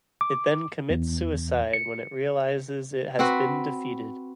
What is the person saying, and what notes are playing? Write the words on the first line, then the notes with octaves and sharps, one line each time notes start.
It then commits suicide when it realizes it has been defeated.
D6
E2
C#7
C4 F#4 B4